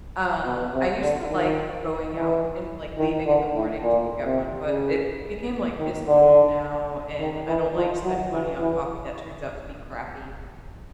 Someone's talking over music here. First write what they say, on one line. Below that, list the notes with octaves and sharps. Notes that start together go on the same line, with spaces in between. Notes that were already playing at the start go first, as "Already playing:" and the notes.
Um, I used to like going out and, like, leaving in the morning to go get one, but it became, like "It's cold now, and I don't like spending money on coffee that turns out to be crappy."
B2
C3
D3
D#3
E3
D#3
D3
A2
A#2
C3
C#3
D#3
D3
D#3
E3
F3
F#3
E3
E3